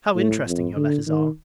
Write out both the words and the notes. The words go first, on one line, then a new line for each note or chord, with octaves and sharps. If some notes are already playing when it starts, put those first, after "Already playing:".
How interesting your letters are!
A2
F2
D3
D#3